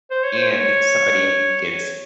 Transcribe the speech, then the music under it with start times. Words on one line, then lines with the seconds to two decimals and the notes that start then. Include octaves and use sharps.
and somebody gets
0.11 C5
0.24 C#5
0.38 C5
0.50 C#5